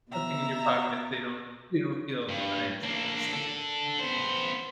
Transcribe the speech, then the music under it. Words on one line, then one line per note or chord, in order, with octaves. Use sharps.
something in your pocket so you don't you don't feel the financial sting when you need to relax.
B2 E5 A#5
G2
A#3 D4
D4 A4
B3 C5